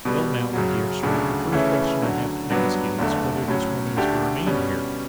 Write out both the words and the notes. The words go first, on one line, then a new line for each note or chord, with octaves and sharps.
Well now, my dear Sir, the first question I have to ask, is, whether this woman is to remain here?'
B2 G3 B3
F#2 C#3 F#3
D2 C#3 F#3 A3 D4
C#3 E3 A3 C#4 E4
D2 D3 F#3
G2 F#3 B3 D4
F#1 E2 D3 A3
A2 F#3 C#4
D2 D3 A3 D4 G4
B2 G3 C#4